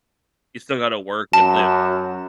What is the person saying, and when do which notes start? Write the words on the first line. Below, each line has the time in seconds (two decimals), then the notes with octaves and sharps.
you still gotta work and live.
1.33 F#2 A5